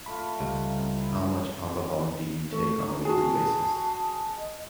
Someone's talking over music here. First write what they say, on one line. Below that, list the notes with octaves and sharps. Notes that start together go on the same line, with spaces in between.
How much alcohol do you take on a weekly basis?
A3 F4 B5
C#2 G3
C4 A#5
E4
A3 C#6
A#5
F#4 G#4 A5
A5
D#5